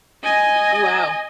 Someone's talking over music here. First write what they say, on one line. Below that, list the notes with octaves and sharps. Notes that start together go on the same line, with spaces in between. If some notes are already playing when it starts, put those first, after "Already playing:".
Oh, wow.
D#5 G#5